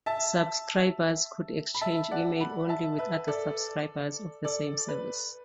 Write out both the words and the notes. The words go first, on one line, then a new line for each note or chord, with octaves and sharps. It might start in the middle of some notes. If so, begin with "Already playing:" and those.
Subscribers could exchange email only with other subscribers of the same service.
E5 A5
B5
E5 A5
D5 F#5
F#5 B5
E5 A5
B4 E5
A4 D5
A4 D5
B4